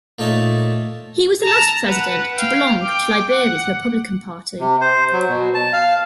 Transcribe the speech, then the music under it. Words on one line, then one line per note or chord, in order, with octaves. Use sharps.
He was the last President to belong to Liberia's Republican Party.
A#2 A3 D#4 C#5 A5
A5 A#5
B4 F#5
F5 G5
G5 D6
F#5
C3
C5
F#3
B2
A5
F5